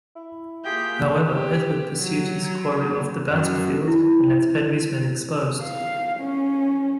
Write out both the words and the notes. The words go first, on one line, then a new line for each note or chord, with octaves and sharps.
However Edward pursued his quarry off the battlefield and left Henry's men exposed.
E4
A#3 F4 G4 G#4 G5 G6 B6
G4
F#3
F#2
E4
F5
C#4